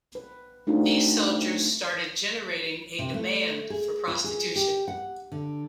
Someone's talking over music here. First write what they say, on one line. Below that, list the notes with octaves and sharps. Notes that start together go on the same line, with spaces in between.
These soldiers started generating a demand for prostitution.
B4
A3 C4 D4 D#4 F4 F#4
C3
A3
G#4
F4
G#4
G4
F#5
D3